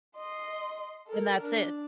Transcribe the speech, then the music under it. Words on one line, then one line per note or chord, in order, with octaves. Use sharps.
and that's it."
D#5 C6
A4 A#4
D4